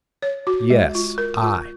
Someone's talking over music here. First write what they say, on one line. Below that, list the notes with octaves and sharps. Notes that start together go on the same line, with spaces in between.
"Yes, I."
C#5
F#4
G#3
F4
A#4
F4